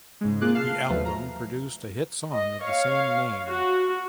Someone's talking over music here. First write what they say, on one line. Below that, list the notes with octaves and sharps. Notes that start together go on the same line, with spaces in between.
The album produced a hit song of the same name.
G#2 C#3 G#3
C3 A#3 F4 G#4 D6 F#6
F5 A5 F6 C7
D#2 F3 F#3 A3 B4
A#5
D#5
C#5 F5
F#4